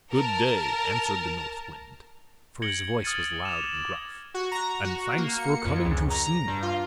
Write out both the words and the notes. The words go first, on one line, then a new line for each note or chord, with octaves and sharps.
'GOOD DAY!' answered the North Wind, for his voice was loud and gruff, 'AND THANKS FOR COMING TO SEE ME.
A#4 A5
G#6 A#6 C#7 D7 F#7 G7
D#6 F6 G#6 A6 C#7 D#7
D6 E7 F7
F#4
A#5
F#4
A#3
C#7
F2
C#2
A#5
G2
F4